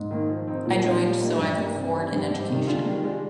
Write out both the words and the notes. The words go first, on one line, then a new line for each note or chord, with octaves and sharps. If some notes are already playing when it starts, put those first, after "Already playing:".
I joined so I could afford an education.
Already playing: G#2
D#3 A#3
F3
C4 D#4
A#2 F3
C4 D#4
G3
A#3 D#4 G4
G2 G3
A#3 D#4 G4
C3
G3 C4 G4
G2 C3
G#2 G3 C4 G4
C3 D#3
D3 G#3 D4 F4
D#3 G3
G#3 D4 F4